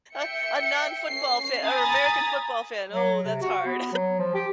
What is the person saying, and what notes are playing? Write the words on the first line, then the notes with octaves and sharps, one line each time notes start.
a a non football fan or American football fan, oh that's hard.
E5 G5 C#7
C#4 C7
G#5 A#5 B5 D#6 A6
F#3
C3
F#4
B3
F#3
F3
G4